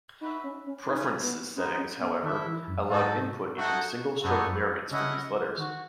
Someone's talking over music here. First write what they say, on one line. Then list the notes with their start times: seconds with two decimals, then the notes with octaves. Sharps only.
Preferences settings, however, allowed input using single stroke variants for these letters.
0.21 D#4 F#4 B4 E5
0.44 C#4
0.66 C#4
0.88 C#4 D#4 G#4 B4
1.22 B3
1.55 G#3 B3 C#4 D#4
1.78 C#4
2.00 B3
2.23 D#3 E4 A4 E5
2.45 E3
2.67 F#2
2.90 G#2 A3 D#4 F#4 A4
3.57 A3 D#4 F#4 C#5 F#5
4.23 F#2 B3 D#4 F#4 A4 C#5
4.46 F#2
4.91 C#3 C#4 E4 A4 D#5 F#5
5.57 D#3 F#4